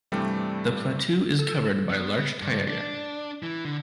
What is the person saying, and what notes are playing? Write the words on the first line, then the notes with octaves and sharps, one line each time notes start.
The plateau is covered by larch taiga.
G2 C3 E3 G3 A3
A4
B3
G2
D4
E3
D3